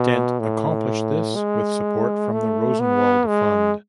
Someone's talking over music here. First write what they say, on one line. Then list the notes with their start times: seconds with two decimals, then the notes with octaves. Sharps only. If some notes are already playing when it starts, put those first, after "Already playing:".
Dent accomplished this with support from the Rosenwald Fund.
Already playing: B2
0.40 A2
1.35 G#3
2.32 A3
2.80 B3
3.28 G#3